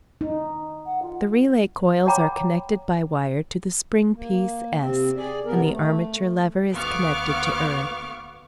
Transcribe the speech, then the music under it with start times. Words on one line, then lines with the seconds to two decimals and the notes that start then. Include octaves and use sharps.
The relay coils are connected by wire to the spring piece, S, and the armature lever is connected to earth.
0.21 D#4
0.86 F#5
1.02 F4
2.06 C#5 F#5 G5 A#5 B5 D6
4.13 A#3
4.79 C3 C4
5.17 G#4 D5
5.45 C3 B3 A#4
5.70 A3
6.72 D2 B3 F5 C#6 D6 F6